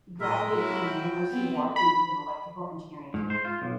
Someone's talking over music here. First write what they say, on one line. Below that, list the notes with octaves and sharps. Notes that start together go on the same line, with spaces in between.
He graduated from the University of Waterloo with an electrical engineering degree.
A2 G#3 A#4 D#5 E5
F#3 E4 F#4
G5
B3 C4
B5
G#2
C5
F4
B1